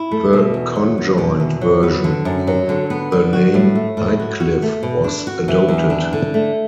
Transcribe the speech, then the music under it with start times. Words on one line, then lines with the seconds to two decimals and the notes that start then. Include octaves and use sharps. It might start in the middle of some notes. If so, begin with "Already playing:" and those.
The conjoint version of the name, "Nightcliff" was adopted.
Already playing: E4
0.11 A3
0.33 B2
0.54 E2
0.76 F#3
0.98 B3
1.18 B2
1.40 E2
1.61 F#3
1.83 B3
2.04 D3
2.25 F#2
2.47 F#3
2.69 D3
2.90 B3
3.12 D3
3.33 F#4
3.54 A2
3.75 A3
3.97 A2
4.20 F#4
4.40 F#4
4.62 A3
4.83 B2
5.04 D4
5.27 F#4
5.48 E3
5.69 E2
5.90 D4
6.13 D3
6.34 A3